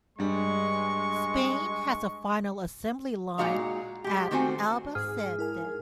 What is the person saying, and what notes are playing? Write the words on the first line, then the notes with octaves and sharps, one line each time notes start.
Spain has a final assembly line at Albacete.
G2 G3 G#3 C#6
A#2 G#3 D#4 F#4 F5 A#5
G#3 G4
D#3 A3 C4 F#4 C5 G#5
G#2 G#4 F6
E4 A#4 G#5